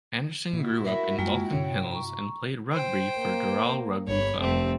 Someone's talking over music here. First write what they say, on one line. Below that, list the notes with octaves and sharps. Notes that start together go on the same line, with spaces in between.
Anderson grew up in Baulkham Hills and played rugby for Dural rugby club.
A#2 E4 F#4
A#4 E5 B5
F#2 G#3 A#3 F4 G5
G2 C3 C#4 C#5
A#5 C#6
C5 G5
A#3
G1 C#5 B5
F1 G3 A3 C4